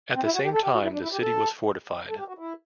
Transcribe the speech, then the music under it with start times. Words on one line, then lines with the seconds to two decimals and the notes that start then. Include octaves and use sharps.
At the same time, the city was fortified.
0.15 C4
0.25 E4
0.34 F#4
0.44 G4
0.54 A4
0.63 G4
0.73 F#4
0.83 E4
0.93 D4
1.03 E4
1.12 G4
1.22 A4
2.10 A4
2.19 G4
2.28 F#4
2.39 E4